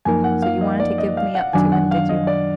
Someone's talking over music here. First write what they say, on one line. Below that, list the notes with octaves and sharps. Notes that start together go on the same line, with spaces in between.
So you wanted to give me up to him, did you?
F#2 F3 A#3 D#4 A#4 G#5
F#5
F5
D#5
D5
D#5
F5
F#5
F#2 D#3 F#3 D4 G#5
F#5
F5
D#5
D5